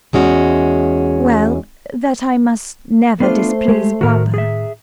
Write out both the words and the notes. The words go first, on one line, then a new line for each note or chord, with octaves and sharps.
"Well, that I must never displease papa."
E2 G#3 C#4 F#4
A3 B3 D4 F4 C5 C7
G#3 G4
A2 D#3 F#4 A#4 C5
G#4 E5